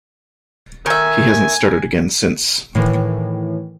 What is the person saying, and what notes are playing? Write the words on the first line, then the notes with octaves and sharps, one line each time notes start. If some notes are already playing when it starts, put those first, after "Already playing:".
He hasn't started again since.
D#3 E5 G#5
A2 D#3 E3